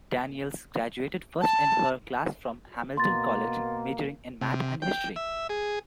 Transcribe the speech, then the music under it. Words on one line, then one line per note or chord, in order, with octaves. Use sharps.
Daniels graduated first in her class from Hamilton College, majoring in math and history.
A5
B2 A#3 C6 A6
C3
G5
E5
G#4